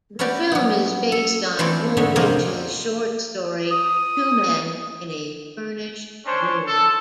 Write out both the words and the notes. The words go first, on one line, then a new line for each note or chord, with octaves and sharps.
The film is based on Woolrich's short story "Two Men in a Furnished Room".
C#4 E4 F#4 G4 D5
F#3 B3
A4
E3 A3 C4 E4 A4 D5
G#2 D3 A3 C#5 E5
F2 C3 A#3 C4 C#4
D#6
C#4 D4 C5 C#5
A4